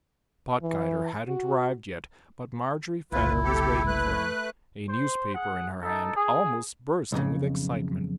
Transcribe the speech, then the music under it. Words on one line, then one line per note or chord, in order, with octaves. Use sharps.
Pottgeiter hadn't arrived yet, but Marjorie Fenner was waiting for him; a newspaper in her hand, almost bursting with excitement.
E3
F#4
F#1 C2 E4 F4 B4
G4 A4
A3 B4 F#6
C5
G#4 F#5
D#4 A4
G#4
B1 F2 A#2 C#3